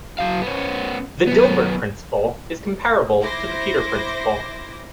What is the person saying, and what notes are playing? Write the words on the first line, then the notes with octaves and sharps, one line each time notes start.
The Dilbert principle is comparable to the Peter principle.
F#3 F5
B3 C#4
F#2 B3
E4 C5 D6 A#6